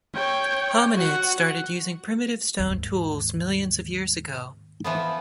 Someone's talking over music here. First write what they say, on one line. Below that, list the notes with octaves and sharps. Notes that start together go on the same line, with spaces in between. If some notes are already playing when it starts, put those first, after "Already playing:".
Hominids started using primitive stone tools millions of years ago.
C#5 G5
F#4 F#5
D#2 G#2
E3 F3 B3